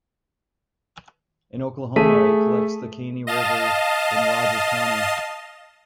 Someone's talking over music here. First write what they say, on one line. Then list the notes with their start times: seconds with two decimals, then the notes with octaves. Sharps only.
In Oklahoma it collects the Caney River in Rogers County.
1.96 A3 G#4 A4 A5 B6 D#7
3.27 D#5 F5 A5